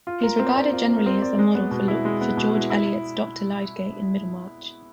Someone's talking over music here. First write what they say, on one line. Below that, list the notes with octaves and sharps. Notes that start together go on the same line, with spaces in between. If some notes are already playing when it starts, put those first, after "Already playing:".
He is regarded generally as the model for George Eliot's Doctor Lydgate in Middlemarch.
F4
A#4
C4
D5
F4
A#4
C4
D5
G#3
B3
B2
E4
G#3
B3
B2
E4
E4